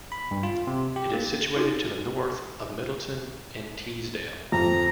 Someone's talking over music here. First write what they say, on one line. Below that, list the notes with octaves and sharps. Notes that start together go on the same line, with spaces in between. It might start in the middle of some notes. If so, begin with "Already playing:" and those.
It is situated to the north of Middleton-in-Teesdale.
B5
G2
F4
C3
G4
A#3
D#4 F#4
F2 A#5